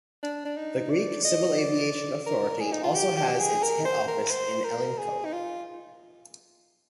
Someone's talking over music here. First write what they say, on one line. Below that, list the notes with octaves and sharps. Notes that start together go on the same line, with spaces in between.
The Greek Civil Aviation Authority also has its head office in Elliniko.
D4
D4
D#4
D5
D#5
D5
A#4
G#4
D#4
F4
G4
G4
G#4
A#4
C5
A#4
C5
A#4
G#4
D#4
F4